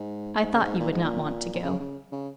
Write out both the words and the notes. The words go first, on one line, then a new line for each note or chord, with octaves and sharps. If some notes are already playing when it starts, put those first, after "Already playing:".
I thought you would not want to go.
Already playing: G#2
G#2
C#3
G#2
A#2
G#2
A#2
A#2
C#3
C#3
C#3